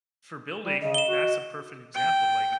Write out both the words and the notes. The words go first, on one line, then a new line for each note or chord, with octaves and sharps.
For building, that's a perfect example, like
G3
C#3 D#5
E7 G7
F#4
G5